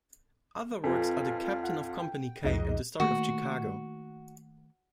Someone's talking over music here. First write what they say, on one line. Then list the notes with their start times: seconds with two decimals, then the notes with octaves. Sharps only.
Other works are "The Captain of Company K" and "The Story of Chicago".
0.84 F2 F3 F4 B4 G#5
1.63 F#5
2.00 G5
2.44 C2 F2 G#2 F3 D#5
3.00 D#3 A3 A#3 F#4